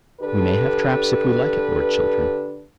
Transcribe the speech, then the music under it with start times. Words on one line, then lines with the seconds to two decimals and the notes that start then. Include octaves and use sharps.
"We may have traps if we like it, Lord Chiltern."
0.21 D3 D4 G4 A4 B4